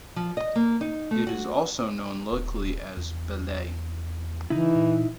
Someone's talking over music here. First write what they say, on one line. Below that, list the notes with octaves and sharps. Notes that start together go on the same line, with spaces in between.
It is also known locally as "Belait".
F3
D#5
A#3
D#4
A3
F#4
D#1
E2
C#3 E3 D#4 E4
A#2